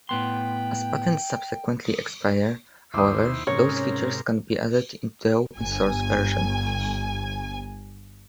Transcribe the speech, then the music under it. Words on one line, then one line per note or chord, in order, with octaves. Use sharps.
As patents subsequently expire, however, those features can be added into the open-source version.
A2 B3 G5 C6
D#2 E4 C5 D6 D#6
G#2 C3 C#4 A#4 C#5
G1 G#5